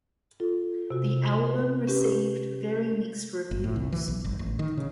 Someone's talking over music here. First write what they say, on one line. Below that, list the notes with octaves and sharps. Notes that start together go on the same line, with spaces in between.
The album received very mixed reviews.
F4 A4
C3 F#4
B4
C#4 G4 B4
G1
A2
C2
E3
B1
G1
A1
D#3
C#3